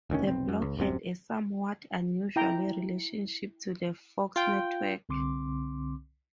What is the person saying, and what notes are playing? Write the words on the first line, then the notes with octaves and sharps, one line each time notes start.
The block had a somewhat unusual relationship to the Fox network.
E1 D2 D#3 C#4
F1 B1 C4
F#2
C#2
D1 C2 F#2 C3
E4 G5 A#5
F4 G5
C2 D3 C4 C6 D6